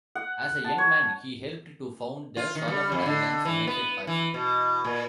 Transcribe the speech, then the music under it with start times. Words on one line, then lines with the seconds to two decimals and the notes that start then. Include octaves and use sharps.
As a young man he helped to found the Solomon Islands United Party.
0.15 F#5
0.64 A5
0.78 C#5
2.37 F4
2.55 D#3
2.68 G3
2.92 F2
3.06 D3
3.45 E3
3.67 B3
4.07 E3
4.34 B2
4.84 A#2